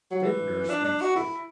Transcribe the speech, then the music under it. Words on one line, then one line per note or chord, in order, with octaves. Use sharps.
Vintners' sweepstake.
F#3
E3
D4
D4
F#4
E4